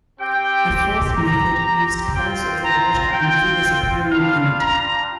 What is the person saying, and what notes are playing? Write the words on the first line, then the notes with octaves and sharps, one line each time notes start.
A fourth method used colors of the water and figures appearing in it.
C4 G4 G5
C4 G4 A#5
C4 F4 G5
A#5
C4 F4 G5
G3 D4 F4 F5
A#5